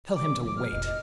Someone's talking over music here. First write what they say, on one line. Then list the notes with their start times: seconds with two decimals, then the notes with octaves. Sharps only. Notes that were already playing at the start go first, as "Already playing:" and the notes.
Tell him to wait.
0.16 D6
0.46 F3 D6
0.57 F6
0.72 F1 A#1 D#5
0.86 D#5